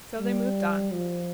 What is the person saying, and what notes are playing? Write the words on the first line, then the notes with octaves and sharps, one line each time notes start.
So they moved on.
G3
F3